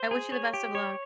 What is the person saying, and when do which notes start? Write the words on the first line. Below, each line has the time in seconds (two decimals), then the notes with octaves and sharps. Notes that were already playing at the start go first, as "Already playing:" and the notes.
I wish you the best of luck.
Already playing: C5
0.11 G#4
0.32 C#5
0.54 G4
0.75 C#5